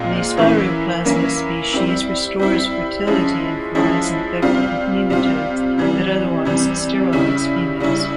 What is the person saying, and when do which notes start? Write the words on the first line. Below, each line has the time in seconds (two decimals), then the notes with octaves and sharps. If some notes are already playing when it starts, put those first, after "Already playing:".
The Spiroplasma species restores fertility in flies infected with nematodes that otherwise sterilize females.
Already playing: A#2 G#3 C4 F4
0.37 E3 A#3 C#4 E4
1.05 E3 A#3 C#4 E4
1.72 G3 C4 E4
2.40 G3 C4 E4
3.07 F3 G#3 C#4 E4
3.75 F3 G#3 C#4 E4
4.42 C3 G3 C4 F4
5.10 C3 G3 C4 F4
5.78 C3 E3 G3
6.45 C3 E3 G3
7.13 C#3 G3 C#4 E4
7.80 C#3 G3 C#4 E4